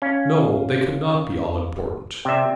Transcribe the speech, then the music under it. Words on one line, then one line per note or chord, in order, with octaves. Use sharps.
"No; they cannot be all-important."
C#4 F5
C3 D5 E5 G5